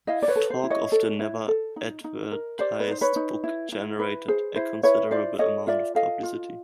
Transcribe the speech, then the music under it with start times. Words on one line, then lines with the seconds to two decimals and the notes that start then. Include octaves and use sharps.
Talk of the "Never advertised" book generated a considerable amount of publicity.
0.07 E4 D#5 F5
0.22 D5
0.28 B4 C#5
0.36 A4
0.50 C5
0.64 E4
0.70 C#5 D#5
0.92 A4
1.19 E4
1.48 A4
1.76 D#4
2.04 D#4
2.32 A#4
2.59 G4 C5 D5
2.80 B4
2.88 D#4 C5
3.01 B4 C#5
3.16 D#4
3.44 E4
3.72 E4
3.99 B4
4.28 G#4 C5
4.56 E4 C5
4.83 E4 B4 C#5
5.11 F4 C5 D5
5.39 A4 C#5 D#5
5.67 F4 D5 E5
5.95 A4 D#5 F5
6.23 F4